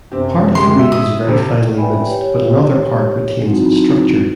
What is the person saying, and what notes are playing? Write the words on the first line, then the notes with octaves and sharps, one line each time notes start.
Part of the meat is very finely minced, but another part retains its structure.
F#2 C3 C4 G4
G#3 G4 C6
E5
D#6
F2 C3
B4 D5 E5 G5 G#5 B5
G4 C#5
F#3 C4 D#4 E4 F#4